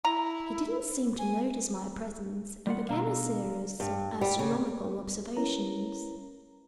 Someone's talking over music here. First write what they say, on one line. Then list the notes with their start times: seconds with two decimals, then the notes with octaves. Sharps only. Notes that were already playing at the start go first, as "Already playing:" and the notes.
He didn't seem to notice my presence and began a series of astronomical observations.
0.05 E4 A#5
1.19 G#5
2.67 G3 F4 F#5
2.89 B2 D3 F5 A#5 E6
3.80 G2
4.21 G3
4.39 C#3
5.37 C#4 E4 A#4 B4 C#5 A#5